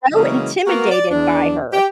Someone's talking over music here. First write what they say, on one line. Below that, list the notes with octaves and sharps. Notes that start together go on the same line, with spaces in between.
so intimidated by her.
C#3 E3 F#3 G#3 A#3
A#3 B3 F#4 A#4
D5
E2 D4
G4